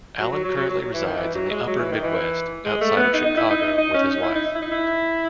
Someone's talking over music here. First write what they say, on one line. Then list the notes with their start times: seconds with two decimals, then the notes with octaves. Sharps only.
Allen currently resides in the upper midwest, outside of Chicago, with his wife.
0.20 F#3
0.32 F#3
0.44 F#3
0.56 F#3
0.70 F#3
0.81 F#3
0.94 E3
1.06 D#3
1.18 E3
1.34 F#3
1.51 G#3
1.67 F#3
1.78 E3
1.92 D#3
2.04 E3
2.65 G#3
2.81 A3
2.97 B3
3.14 D#4
3.25 D#4
3.37 E4
3.50 D#4
3.62 D#4
3.78 D#4
3.94 C#4
4.11 D#4
4.22 E4
4.35 D#4
4.55 E4
4.62 D#4
4.71 E4